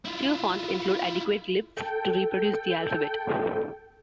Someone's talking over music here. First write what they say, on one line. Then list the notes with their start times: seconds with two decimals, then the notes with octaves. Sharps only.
Few fonts include adequate glyphs to reproduce the alphabet.
0.05 E4 F4
1.77 A4 G5